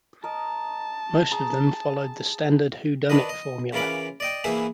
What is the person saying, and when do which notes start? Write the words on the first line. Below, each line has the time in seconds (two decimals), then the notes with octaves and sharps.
Most of them followed the standard whodunit formula.
0.24 A#4 D#5 A5
1.32 G#4 A#5
3.10 D#3 D4 B4 D#5
3.29 D#5
3.73 C#3 E3 F4 A#4 B5 D6
4.20 D5 D#5 G5
4.44 E3 A#3 E4 G#4 B4 E5